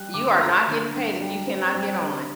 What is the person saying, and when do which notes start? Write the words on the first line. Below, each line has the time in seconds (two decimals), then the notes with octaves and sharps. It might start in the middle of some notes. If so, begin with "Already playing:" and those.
You are not getting paid if you cannot get on.
Already playing: G3 F#6
0.14 D2 D6
0.28 C6
0.41 A3 A#5
0.68 D3
0.93 G2
1.21 G3
1.47 C4
1.74 G3
2.01 D3